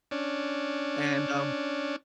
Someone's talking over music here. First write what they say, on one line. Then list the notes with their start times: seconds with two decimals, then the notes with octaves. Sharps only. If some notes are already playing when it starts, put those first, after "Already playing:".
And, um
0.11 C#4 D4